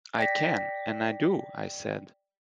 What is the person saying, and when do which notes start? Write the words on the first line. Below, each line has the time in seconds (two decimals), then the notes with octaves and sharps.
"I can, and I do," I said.
0.18 D5 G5 A#6 B6